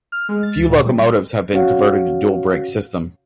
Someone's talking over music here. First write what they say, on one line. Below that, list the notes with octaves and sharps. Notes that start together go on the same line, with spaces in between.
Few locomotives have been converted to dual brake system.
F6
G#3
A6
D2
A#2
G3
C#4 F#4 C#5 F5 F#5